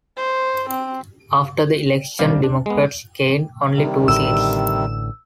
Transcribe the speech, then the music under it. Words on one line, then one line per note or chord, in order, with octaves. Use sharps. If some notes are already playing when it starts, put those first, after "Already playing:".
After the election, Democrats gained only two seats.
C5
C4
B1 C3 D#3 G3 G4 F5
D4
G#3 B3
C3 D#3 G3
A1 A2 D3 E6